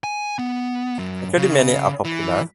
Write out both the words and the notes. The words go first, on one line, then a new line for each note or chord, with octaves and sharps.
Including many are popular.
G#5
B3
F#2
C#3
E3